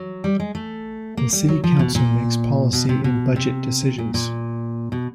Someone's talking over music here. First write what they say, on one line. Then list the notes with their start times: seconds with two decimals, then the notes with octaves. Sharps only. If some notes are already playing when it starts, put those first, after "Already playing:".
The City Council makes policy and budget decisions.
Already playing: F#3
0.24 G3
0.40 G#3
0.55 A3
1.17 A#3
1.33 G3
1.48 F#3
1.64 F3
1.79 B2
1.95 A#2
2.73 B2
2.89 C3
3.04 B2
3.36 C3
3.98 A#2
4.14 A#2
4.92 B2